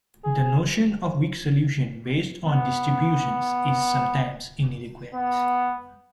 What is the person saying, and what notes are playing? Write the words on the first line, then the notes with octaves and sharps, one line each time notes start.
The notion of weak solution based on distributions is sometimes inadequate.
G#4
B3
B3